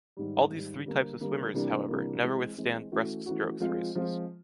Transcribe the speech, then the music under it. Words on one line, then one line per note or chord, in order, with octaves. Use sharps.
All these three types of swimmers, however, never withstand breaststrokes races.
G#2 D#3 G3
G#2 D#3 G3
D3 G3 A#3
D3 G3 A#3
C3 E3 G3 A#3 D4
C3 E3 G3 A#3 D4
E3 G#3 C4
E3 G#3 C4
E3 A3 C#4 F#4
E3 A3 C#4 F#4
F3 G#3 C4 F4
F3 G#3 C4 F4